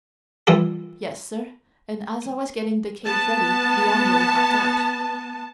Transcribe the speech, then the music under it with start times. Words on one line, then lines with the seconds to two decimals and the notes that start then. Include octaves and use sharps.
"Yes, sir; and as I was getting the cage ready the animal hopped out."
0.47 E3 G3 F4 A4
3.04 B3 A5